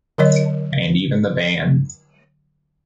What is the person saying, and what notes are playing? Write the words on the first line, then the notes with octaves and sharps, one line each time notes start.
And even the ban.
D3 F#3 A#4 C#5 D#5